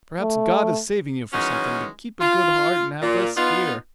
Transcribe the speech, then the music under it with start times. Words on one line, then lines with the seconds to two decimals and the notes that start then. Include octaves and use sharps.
Perhaps God is saving you for something. But keep a good heart and have less fear!
0.21 A3
1.33 D#3 E3 F#3 G#3 C#4
2.21 F4
3.02 A#2
3.37 B3 D#4 F4